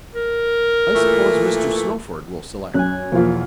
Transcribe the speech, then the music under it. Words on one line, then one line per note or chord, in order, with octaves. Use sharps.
"I suppose Mr. Snowford will select."
A#4
A#2 E3 A3
F#2 G#5 F#6
E2 B2 F3 A#3 F4